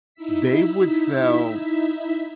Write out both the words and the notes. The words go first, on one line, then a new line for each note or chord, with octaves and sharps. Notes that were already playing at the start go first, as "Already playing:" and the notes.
they would sell
D#4 E4 E5 B6